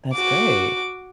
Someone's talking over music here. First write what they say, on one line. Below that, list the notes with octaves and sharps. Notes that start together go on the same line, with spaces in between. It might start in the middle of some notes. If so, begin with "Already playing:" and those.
That's great.
F#4 D6